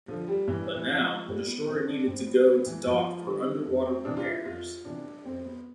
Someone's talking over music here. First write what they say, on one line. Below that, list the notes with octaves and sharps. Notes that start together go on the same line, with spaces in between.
But now the destroyer needed to go into dock for underwater repairs.
D3 F3
G3
G2 E3
E3
E3 F3
G2 G3
B3
E3 C4
D4
G2 C4
B3
D3 B3
E3
G2 F3
D3 G3
F2
C4
C3 E3 D4
F4
E4
F2 F4
C3 E3 D4
F2 C4
B3